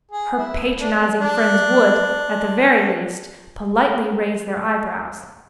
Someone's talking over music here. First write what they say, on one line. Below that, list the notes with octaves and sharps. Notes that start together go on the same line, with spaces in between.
Her patronizing friends would, at the very least, politely raise their eyebrows.
G#4
E4
D4
D4